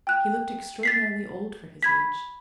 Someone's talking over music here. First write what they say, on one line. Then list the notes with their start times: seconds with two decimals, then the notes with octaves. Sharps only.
He looked extraordinarily old for his age.
0.07 G5 F#6
0.83 A6 B6 C7
1.83 B5 G#6 B6